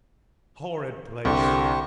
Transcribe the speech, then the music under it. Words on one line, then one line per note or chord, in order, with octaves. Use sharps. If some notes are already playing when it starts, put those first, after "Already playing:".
Horrid place!
C2 D3 G4 C5 C#6